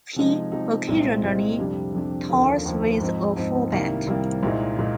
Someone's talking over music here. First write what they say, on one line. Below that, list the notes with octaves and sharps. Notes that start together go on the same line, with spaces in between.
He occasionally tours with a full band.
C3 F3 G#3 D#4
C3 F3 G#3 D#4
C2 A#2 G#3 C4
C2 A#2 G#3 C4
F2 C3 G3 D4 G4
F2 C3 G3 D4 G4
D#2 D3 F3 A#3
D#2 D3 F3 A#3
G#2 F3 C4 D#4
G#2 F3 C4 D#4
C2 C3 D#3 G3 A#3
C2 C3 D#3 G3 A#3
C2 A#2 G#3 D#4
A#2 G#3 D#4